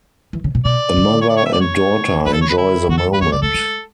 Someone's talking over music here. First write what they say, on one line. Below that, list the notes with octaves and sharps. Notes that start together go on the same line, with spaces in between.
A mother and daughter enjoy the moment.
E3
C#3
B2
B2 D5
D3
C#5
D5
C#5
E5
D5
C#5
D3 B4
A4
C#5
B4
E4
D3 F#4
A4
B4
E3 C#5
G#3 D5
A3 A4
G#3